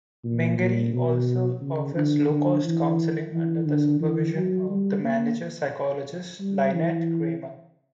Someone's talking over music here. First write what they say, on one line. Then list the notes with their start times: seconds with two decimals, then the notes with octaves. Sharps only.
Mingary also offers low-cost counselling under the supervision of the manager psychologist, Lynette Kramer.
0.24 A#2
0.59 A#2
0.93 B2
1.61 C#3
1.96 D3
2.30 D3
2.65 E3
3.33 E3
3.67 D3
4.01 E3
4.35 F#3
4.70 G3
5.03 A#3
6.40 G3
6.74 E3